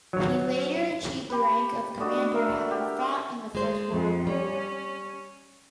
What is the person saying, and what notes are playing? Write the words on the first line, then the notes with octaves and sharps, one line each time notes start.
He later achieved the rank of commander having fought in the First World War.
F#3 C#5
G4 B4
A3 D4 F#4 D#5
A#4 E5
G4
G#3 C5
F2
G3 C#4